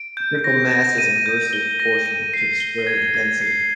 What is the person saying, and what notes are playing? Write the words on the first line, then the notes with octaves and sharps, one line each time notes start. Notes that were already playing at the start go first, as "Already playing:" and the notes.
The critical mass is inversely proportional to the square of the density.
Already playing: D7
G6
A#6
A#6
D#7
G6
G7
A#6
D#7
C7
G7
G#6
G#6
C7